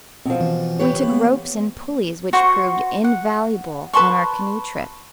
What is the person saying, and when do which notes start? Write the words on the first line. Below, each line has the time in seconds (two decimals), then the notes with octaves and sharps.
We took ropes and pulleys which proved invaluable on our canoe trip.
0.26 B2 F3 C4
0.41 E3
0.79 G4 B4 C#5
1.04 A#3 B3
2.33 F#4 C5 C#6
3.04 F#5
3.93 B4 A5 C6 C#6